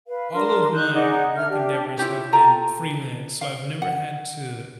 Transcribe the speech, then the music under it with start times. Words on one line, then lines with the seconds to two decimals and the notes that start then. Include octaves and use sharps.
all of my work endeavors have been freelance, so I've never had to
0.06 B4 F5
0.32 D4 A#4 C6
0.73 D#4 F#6 G6
0.94 D#4 G#4 D5 F#5
1.37 D4 E5 F6
1.49 D4 G4
1.97 E4 F4 G4 C#5
2.33 F4 A4 G5 A#5
3.41 F5
3.82 F#5